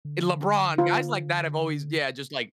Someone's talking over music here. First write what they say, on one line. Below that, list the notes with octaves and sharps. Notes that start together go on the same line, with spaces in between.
LeBron, guys like that have always yeah, just like,
D3
F4